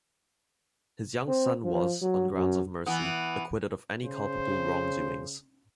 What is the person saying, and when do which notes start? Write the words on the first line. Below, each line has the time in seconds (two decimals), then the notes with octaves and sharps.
His young son was, on grounds of mercy, acquitted of any culpable wrongdoings.
1.28 C4
1.64 F3
2.02 F#3
2.35 F#2
2.86 E3 B3
4.04 C#3 C5